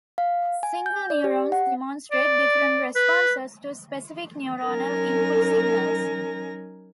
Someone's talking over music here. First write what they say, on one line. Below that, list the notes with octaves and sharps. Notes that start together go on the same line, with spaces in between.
Single neurons demonstrate different responses to specific neuronal input signals.
F5
G#5
G6
D5
G4
F#5
D5
B4
F#3 C#4 D#4 A#4 G#5 A#6